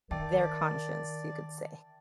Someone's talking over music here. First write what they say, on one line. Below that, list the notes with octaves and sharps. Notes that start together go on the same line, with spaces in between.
their conscience, you could say.
D#3 A#4 D5 E5 G5 A5